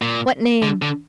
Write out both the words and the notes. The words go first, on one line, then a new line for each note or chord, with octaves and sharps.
What name?
A#2
D3
D3